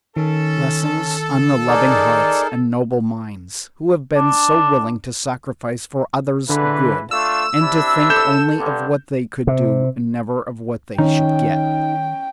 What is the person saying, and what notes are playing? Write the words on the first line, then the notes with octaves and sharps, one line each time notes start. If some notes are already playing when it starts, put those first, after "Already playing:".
Blessings on the loving hearts and noble minds who have been so willing to sacrifice for others' good and to think only of what they could do, and never of what they should get!
D#3 C#4 A4
D#4 G#4 A#4 D5
D4
C#2 D3 E3 B4
A3 D4 F4 E6
C3 D4 E4
A4 G6 E7
G2 D3
C3
D#3 C#4 D#4 G5